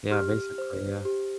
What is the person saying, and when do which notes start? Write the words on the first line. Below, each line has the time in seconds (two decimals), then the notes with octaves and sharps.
Yeah, basically, yeah.
0.11 G4 F6
0.58 C5
1.05 G4